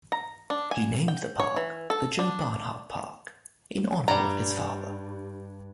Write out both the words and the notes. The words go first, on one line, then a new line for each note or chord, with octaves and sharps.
He named the park the Joe Barnhart Park in honor of his father.
A#5
D4
G#5
G5
C#5
E3
A4
D4
G2 G3 A#5